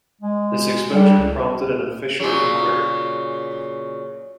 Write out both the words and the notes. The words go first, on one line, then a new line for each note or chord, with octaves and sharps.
This exposure prompted an official enquiry.
G#3
G3
C#2
A#2 C#3 F#3